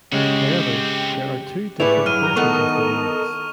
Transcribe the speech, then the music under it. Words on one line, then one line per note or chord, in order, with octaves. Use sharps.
However, there are two different versions of the remix.
C#3 G#3 C4 F#4 G4
A2 E4 G#4 B4 D5 C#6 F7
G2 F#3 F6 D#7
A#5
D#3 B3 C4 A4 A#4 D#5 C#6 F7